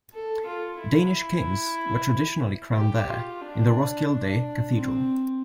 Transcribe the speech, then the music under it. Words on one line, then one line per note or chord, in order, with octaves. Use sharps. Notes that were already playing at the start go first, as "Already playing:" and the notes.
Danish kings were traditionally crowned there, in the Roskilde Cathedral.
A4
F4
E4
G4
F4
D4
D4
C4